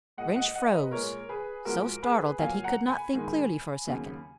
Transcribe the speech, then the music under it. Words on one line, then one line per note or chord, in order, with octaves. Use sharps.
Rynch froze, so startled that he could not think clearly for a second.
A#2 G#3 D#5 F#5
D#5 F#5
D#5 F#5
B4 D#5
A#2 G#3 A#4 C#5
G#4 B4
G#2 F3 G#3 F#4 A#4
G#4 B4
A#2 F#3 F5 G#5
F#5 A#5
G#5 B5
G#2 D#3 G#3
D#2 C#3 F#3